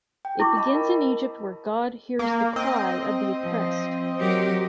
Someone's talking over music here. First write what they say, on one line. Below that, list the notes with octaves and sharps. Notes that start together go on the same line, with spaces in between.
It begins in Egypt where God "hears the cry" of the oppressed.
G5
E4 C#6 D6
D#5 A5 B5
A#4
A#3
C4 D#5
F3
F#3 G4 A#4